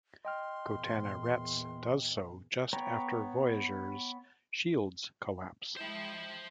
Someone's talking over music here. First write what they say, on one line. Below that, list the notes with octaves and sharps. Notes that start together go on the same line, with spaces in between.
Gotana-Retz does so just after "Voyager's" shields collapse.
D#5 G5 C6 F6
E2 A#2
B3 C#5 G5 A#5
G#3 E4 C5 G5 A5